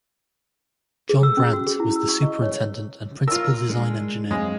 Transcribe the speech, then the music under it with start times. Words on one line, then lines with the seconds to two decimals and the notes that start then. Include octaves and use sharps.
John Brandt was the superintendent and principal design engineer.
1.09 G#4
1.23 E6
1.37 C#4
1.53 F#4
1.67 G#4
1.80 E4
1.96 E6
2.09 C#6
2.22 D#5
2.42 C#5
3.28 F4 A#4 E6
3.70 G#3 D4 G#4
4.31 F#2 G#3 C4 F5